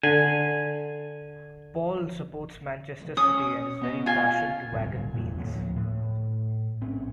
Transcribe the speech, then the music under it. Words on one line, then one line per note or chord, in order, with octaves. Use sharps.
Paul supports Manchester City and is very partial to Wagon Wheels.
D3 G#5
C#4 C#5 D#6
B3 D#5
F4 G#5
D1 C2 G2
E2 A#2
D2 A2 F3 A#3
A2
A#1 C4 C#4